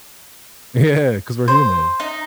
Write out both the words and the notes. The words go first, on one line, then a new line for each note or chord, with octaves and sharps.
Yeah, 'cause we're human.
C5
D#4